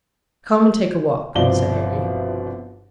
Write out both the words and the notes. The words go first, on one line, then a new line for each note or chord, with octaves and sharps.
"Come and take a walk," said Harry.
G1 C2 B2 F3 D5 G7